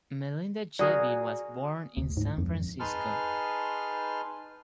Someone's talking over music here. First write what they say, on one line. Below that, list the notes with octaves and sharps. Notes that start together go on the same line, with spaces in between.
Melinda Gebbie was born in San Francisco.
F#4 G#4 A#4 D5
D2
G#2
F2
D#4 G#4 B4 A5 C6 F6